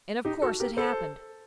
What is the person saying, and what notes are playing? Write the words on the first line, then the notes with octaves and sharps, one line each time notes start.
And of course it happened!
D#4 G4
F#4 A4
G4 A#4
A4 C5